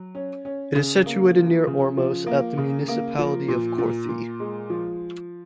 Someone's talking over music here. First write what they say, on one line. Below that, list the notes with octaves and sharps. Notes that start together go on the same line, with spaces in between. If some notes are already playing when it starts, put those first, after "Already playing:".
It is situated near Ormos at the Municipality of Korthi.
Already playing: F#3
C#4
C#4
C#3
A#3
F3
C#3
F3
A#3
C#3
A#3
F3
A#2
A#2
A#2
G#3
F3